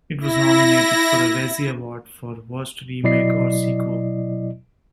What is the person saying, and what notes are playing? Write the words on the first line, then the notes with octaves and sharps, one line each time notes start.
It was nominated for a Razzie Award for Worst Remake or Sequel.
E4 A#6
B2 F#3 E4 D5 D#5 C7